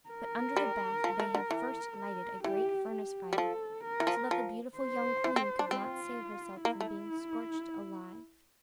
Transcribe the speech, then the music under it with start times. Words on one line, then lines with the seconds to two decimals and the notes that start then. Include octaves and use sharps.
But under the bath they had first lighted a great furnace-fire, so that the beautiful young queen could not save herself from being scorched alive.
0.10 A#4
0.56 G3
1.04 F3
1.20 A3
1.35 D3
1.51 E3
1.97 A#4
2.44 E3 G4
2.90 G4
3.33 G3
3.37 F3 A4
3.84 A#4
4.00 E3
4.07 F3
4.31 F3
4.78 C5
5.24 E3
5.36 C4
5.59 D4
5.70 C4 F4
6.65 A#3 E4
6.80 A3